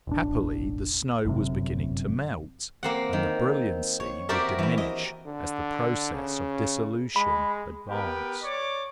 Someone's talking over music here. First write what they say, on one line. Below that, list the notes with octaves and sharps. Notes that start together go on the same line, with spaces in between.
Happily the snow was beginning to melt, and the brilliancy would diminish as the process of dissolution advanced.
E1 A1 D4
G1 F#2 C3
A#3 C4 F#5
D#3
C#5
C4 F#4 G4 A#4 D5 E5
E3 E4
D#5
D3
C#3
G#3 B5
B3 G4 A#4 B4
C#5 D5 C#6 D6